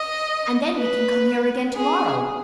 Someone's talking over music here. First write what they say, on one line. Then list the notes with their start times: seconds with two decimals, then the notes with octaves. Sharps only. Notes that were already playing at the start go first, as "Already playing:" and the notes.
"And then we can come here again to-morrow."
Already playing: D#5
0.77 B4
1.76 G#4